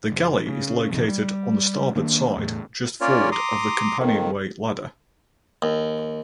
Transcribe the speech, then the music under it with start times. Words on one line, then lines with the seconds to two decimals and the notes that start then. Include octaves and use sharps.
The galley is located on the starboard side just forward of the companionway ladder.
0.10 F#1
0.49 C#3
0.90 A#1 F2 C3 D#3
1.09 G3
1.96 D#3 A#3 D4
2.36 E2 A2
3.01 A#3 C#4 F4 A#4 C#5 D5
3.32 A#5 C6 D6 D#6
3.99 F2 D#3
5.62 D#2